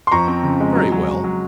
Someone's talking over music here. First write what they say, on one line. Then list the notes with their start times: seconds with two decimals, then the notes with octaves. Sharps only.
"Very well."
0.07 C6
0.12 F2 A#5 C#6
0.28 C4
0.43 C#3
0.60 G#3
0.75 F#3
0.92 F#3
1.08 F#3
1.24 F#3